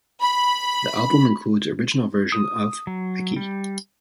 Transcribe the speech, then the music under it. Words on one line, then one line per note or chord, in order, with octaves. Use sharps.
The album includes original version of "Eki".
B5
D#6
F#3
G3